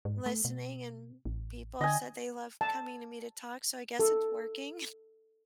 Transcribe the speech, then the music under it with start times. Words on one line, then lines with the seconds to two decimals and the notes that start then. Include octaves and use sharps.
listening, and people have said they love coming to me to talk, so I guess it's working.
0.05 G#2
0.26 A3
0.45 B2
1.25 A1
1.81 D3 D#5 G#5
2.61 A5
3.99 A4